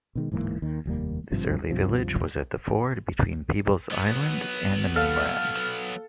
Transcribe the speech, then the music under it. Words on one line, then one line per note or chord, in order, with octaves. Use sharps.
This early village was at the ford between Peebles Island and the mainland.
B2 D#3 G#3
D1 G#2 E3 A#3
D#2 D#3
F1 D#2 G3 A#3
G#1 G2 C3 F3
C#2 G2 C3 F3
F#3 B3
A4 F5 F6